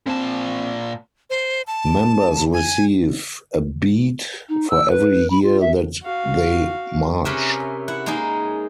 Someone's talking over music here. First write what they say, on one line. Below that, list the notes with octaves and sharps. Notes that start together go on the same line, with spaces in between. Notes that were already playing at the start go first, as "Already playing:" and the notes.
Members receive a bead for every year that they march.
A#2 C4 A5
C5
A5
G#5
D#4
E6
B4
B5
F4
E5
F#4 F5
C3 C#4 G#4 A#4 B4 E5
E4 F#5
G#3 A#3 D#4 G#4 G#5